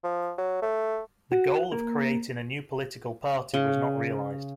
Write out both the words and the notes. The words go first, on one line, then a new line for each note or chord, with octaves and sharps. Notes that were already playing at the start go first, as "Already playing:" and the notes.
The goal of creating a new political party was not realized.
F3
F#3
A3
F#4
A#3
C#3